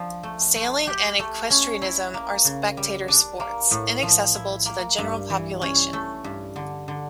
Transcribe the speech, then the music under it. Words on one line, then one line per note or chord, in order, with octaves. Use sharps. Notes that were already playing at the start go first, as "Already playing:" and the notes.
Sailing and equestrianism are spectator sports, inaccessible to the general population.
Already playing: F3 D4
A3
A3
G4
A3
C#4
E4
A#3
C#3
G3
D4
A#3
A2
F3
E4
A#3
G2
E3
C#4
A3
G2
D3
D3